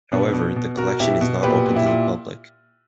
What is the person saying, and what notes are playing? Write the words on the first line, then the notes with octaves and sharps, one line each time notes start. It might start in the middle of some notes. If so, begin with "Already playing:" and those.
However, the collection is not open to the public.
B2 B3 D4
B2
B2
B2 F#4 A#4
B2 E4 G4
B2
A#2 G4 B4
A#2
E4 G4
A#2